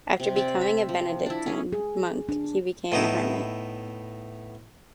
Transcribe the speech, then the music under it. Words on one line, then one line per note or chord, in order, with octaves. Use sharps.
After becoming a Benedictine monk, he became a hermit.
C3
C4 D5
E5
F3
D4 E4
C#4 G#4
G#4
D4
A2 B3 D#4 E4